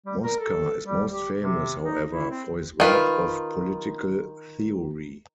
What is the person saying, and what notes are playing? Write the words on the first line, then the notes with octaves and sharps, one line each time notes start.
Mosca is most famous, however, for his works of political theory.
G3
A#4
A4
G3
G4
C3
D#4
E4
C4
D#3 F4 B4